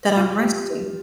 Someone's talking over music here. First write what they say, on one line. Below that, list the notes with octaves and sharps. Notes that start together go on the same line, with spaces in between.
that I'm resting.
F4
G4